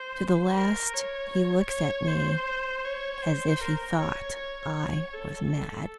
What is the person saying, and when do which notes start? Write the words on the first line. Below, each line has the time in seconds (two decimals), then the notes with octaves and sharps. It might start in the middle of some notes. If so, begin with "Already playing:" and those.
To the last he looks at me as if he thought I was mad.
Already playing: C5
0.56 A#4
0.94 C#5
1.69 C#5
2.08 C5
2.85 C#5
3.22 C5
3.61 A#4
3.99 C#5
4.37 C#5
5.13 A4